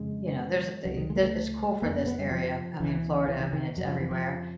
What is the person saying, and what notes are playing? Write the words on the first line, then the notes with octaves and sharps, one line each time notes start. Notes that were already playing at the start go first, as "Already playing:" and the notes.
you know, there's the the It's cool for this area. I mean, Florida, I mean, it's everywhere.
Already playing: F2 C#3 G#3
C#2 C3 F#3
D#3
G#3
A#3
A3
F2 D3 A#3
B3
B3
G3
F3
C#2 B2 E3
E3
E3
D#3
F2 C3 F#3
F3
E3
F3